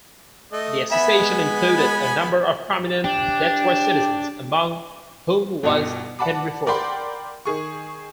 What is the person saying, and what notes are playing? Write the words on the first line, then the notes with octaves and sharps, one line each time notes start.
The Association included a number of prominent Detroit citizens, among whom was Henry Ford.
A3 D#5
B3 E5 G#5 B5
G#3
D4 G4
G1 B2 D#4 G4 C#7
D5 F#5 A5 B5 D6
A#4 D5 F#5 G5 B5 C6
D#3 G#4 C#6